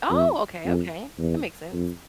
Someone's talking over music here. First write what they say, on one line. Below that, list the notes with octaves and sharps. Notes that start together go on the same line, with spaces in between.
Oh! Okay, okay. That makes sense.
F2
F2
E2
F2